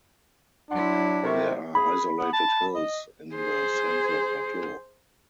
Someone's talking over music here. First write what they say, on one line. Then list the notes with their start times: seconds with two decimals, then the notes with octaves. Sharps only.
There are isolated hills in the central plateau.
0.71 F#3 D4 E4 F#5 C6
1.23 C3 A4 A#4 C#6
1.75 G#4 B5
2.18 B3
2.33 A5
2.75 D#5
3.35 G#4 C5